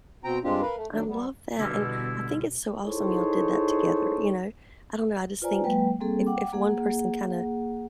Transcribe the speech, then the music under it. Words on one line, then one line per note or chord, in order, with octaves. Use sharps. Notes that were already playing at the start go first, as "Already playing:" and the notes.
I love that, and I think it's so awesome y'all did that together, you know? I don't know, I just think if if one person kinda
B2 C4 G5 A#5
G2 G#3 C4 D4 F4 G4
A#4 B4 F5
A3
D#3 F#3 D4
G3 B3
B2 D3 G3 E4
D#4 E4 G#4 A4 C5 C#5
F4 B4 C5 D5 G#5 A#5
F#3 G#3 A#3 B4 G5
G3 A#3 C4 G#4 A4
F#5 G5 D6
A#3 G#4 F#5